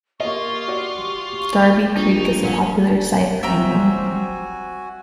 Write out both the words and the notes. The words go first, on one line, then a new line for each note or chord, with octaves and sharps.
Darby Creek is a popular site for angling.
A#3 F4 G4 D#5 C#6
F#4 D5
A#1 D#4
A#2 C#4 C5 D5 F#5
F#3 G3 C4 F#4 E5 G5 G#5 A#5